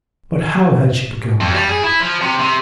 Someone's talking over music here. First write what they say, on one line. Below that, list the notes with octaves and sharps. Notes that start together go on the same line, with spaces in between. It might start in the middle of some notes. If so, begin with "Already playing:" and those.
But how had she become mad?
F2
G3
G#4
E4
F3
C3
C3